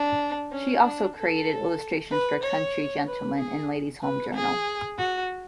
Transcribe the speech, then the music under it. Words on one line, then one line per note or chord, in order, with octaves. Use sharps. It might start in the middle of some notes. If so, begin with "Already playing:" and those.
She also created illustrations for "Country Gentleman" and "Ladies' Home Journal".
Already playing: D4
C#4
D4
A4
B4
C#5
B4
G#4
B4
G#4
F#4